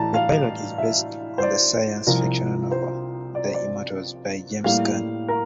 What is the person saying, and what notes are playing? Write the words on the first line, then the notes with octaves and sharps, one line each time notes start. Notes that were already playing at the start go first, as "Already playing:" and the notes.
The pilot is based on the science fiction novel "The Immortals", by James Gunn.
Already playing: A2 E3 G3 A5 A#5
F5
E5
C5
D5
C2 C3 F3 A#4
C5
D5
C5
D5
A2 G3 A#3 F5
A#4